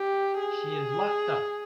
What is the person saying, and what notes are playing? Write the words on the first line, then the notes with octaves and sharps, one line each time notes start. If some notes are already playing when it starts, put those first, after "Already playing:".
She is locked up.
Already playing: G4
G#4